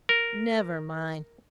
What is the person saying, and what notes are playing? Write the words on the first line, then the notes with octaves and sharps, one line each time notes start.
'Never mind.
A#4